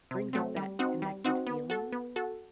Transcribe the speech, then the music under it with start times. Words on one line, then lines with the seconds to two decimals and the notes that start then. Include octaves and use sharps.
brings up that connected feeling,
0.11 C3
0.33 F#3 A3 C4
0.56 G3
0.79 C4 D#4 F#4
1.02 G3
1.25 C4 D#4 F#4
1.47 B3
1.70 F#4 A4
1.92 B3
2.16 F#4 A4